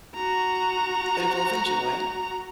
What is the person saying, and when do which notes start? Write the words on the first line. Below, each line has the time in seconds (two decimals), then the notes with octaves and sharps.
that we both enjoy.
0.15 F#4 A#5